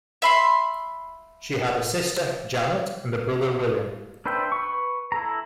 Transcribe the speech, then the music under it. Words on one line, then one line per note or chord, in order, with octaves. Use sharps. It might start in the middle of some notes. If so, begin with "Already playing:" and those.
She had a sister, Janet, and a brother, William.
E5 B5 C6
D4 B4 C5 E5 G5
B4 C#6
E4 A4 A#5